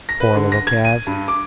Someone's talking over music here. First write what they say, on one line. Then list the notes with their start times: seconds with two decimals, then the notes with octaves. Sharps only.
Poor little calves!
0.09 A#6
0.20 B4
0.35 D3
0.52 A#6
0.67 G#6
0.85 D#7
1.07 G2
1.28 D6